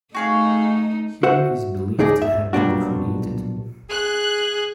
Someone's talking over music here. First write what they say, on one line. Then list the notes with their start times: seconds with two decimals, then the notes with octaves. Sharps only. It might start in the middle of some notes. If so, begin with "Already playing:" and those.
He is believed to have been cremated.
0.14 A3 D#4 F#4 G#4 F5
1.23 F#4 C5 E5 F#5
1.99 D#2 D#4 G#4 D5 D#5
2.22 E5
2.53 B1 A#2 G3 D4 F#4
3.90 G#4 F#6